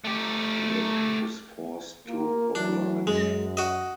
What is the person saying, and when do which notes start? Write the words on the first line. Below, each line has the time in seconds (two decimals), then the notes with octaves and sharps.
Nick is forced to oblige.
0.04 A3 G4
2.08 A#3 F4 A#4
2.55 E3 F#3 D4
3.07 F#2 G#3
3.57 F#4 D#5